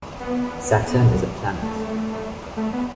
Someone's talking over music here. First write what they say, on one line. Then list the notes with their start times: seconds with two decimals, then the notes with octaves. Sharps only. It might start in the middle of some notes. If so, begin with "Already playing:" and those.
Saturn is a planet.
0.20 B3
1.62 A3
2.57 A3
2.73 B3